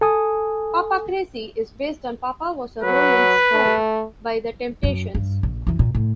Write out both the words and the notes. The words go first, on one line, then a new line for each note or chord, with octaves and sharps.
"Papa Crazy" is based on "Papa Was a Rollin' Stone" by The Temptations.
A4 G#5 D#6
F#3 B4
A3
F#2
G2
A#1
F#2 E3
A#2
A2